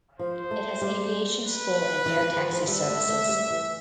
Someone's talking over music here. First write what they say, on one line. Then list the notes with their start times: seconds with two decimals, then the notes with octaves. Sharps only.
It has aviation school and air taxi services.
0.19 F3 C5
0.51 A3
0.82 G3
1.44 B4
2.06 E3
2.21 E3
2.37 F3
2.52 F3
2.67 G3 E5
2.88 A3
3.08 A3
3.29 G3
3.50 E3